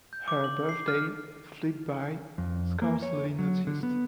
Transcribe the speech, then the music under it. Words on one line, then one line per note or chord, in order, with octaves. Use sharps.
Her birthday fled by scarcely noticed.
G6
D6
F#7
C7
F6
F2
A#3
C#5
F#3
D3
B3